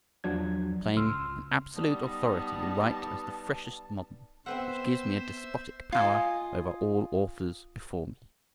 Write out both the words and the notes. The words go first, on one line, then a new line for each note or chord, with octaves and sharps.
I claim an absolute authority in right as the freshest modern, which gives me a despotic power over all authors before me.
E2 F3 F#3 D4 G#6
C#2 C6 E6 F6
G3 B3 D#4 A5 D#6
B3 C4 B4 C5 E5 F#5 E6
F4 D#5 G#5